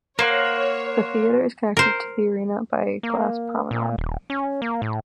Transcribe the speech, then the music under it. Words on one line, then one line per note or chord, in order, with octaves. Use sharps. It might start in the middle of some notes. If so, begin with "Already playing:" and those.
The Theater is connected to the Arena by a glass promenade.
A#3 A#4 C5 C#5 F#5
A#4 C5
A#3
A#2
D#1
C#4
A#3
A2